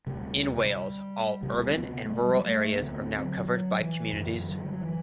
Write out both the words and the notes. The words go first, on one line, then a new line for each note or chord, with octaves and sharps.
In Wales, all urban and rural areas are now covered by communities.
D2 C3 G3
D2 C3 G3
C4
B3
A3
G3
F#3
G3
A3
A3
D2 D3 B3
C4
F#3
F#3
E3
F#2 D3 E3
F#3
G3
F#3
E3